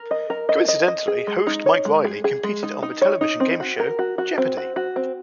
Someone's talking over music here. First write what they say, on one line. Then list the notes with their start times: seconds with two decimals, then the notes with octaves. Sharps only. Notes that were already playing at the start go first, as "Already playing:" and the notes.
Coincidentally, host Mike Reilly competed on the television game show Jeopardy!
Already playing: A#4
0.11 D#5
0.30 A#4
0.49 D#5
0.68 D#5
0.88 D#5
1.08 G#4
1.27 G#3
1.47 D#4
1.66 C#5
1.85 G#3
2.05 G#4
2.24 G#4
2.43 G#3
2.63 D#4
2.83 D#4
3.02 C#5
3.21 D#4
3.40 C4
3.60 F#4
3.80 A#4
3.99 F#4
4.18 F#4
4.38 C4
4.57 F#4
4.76 F#4
4.96 C4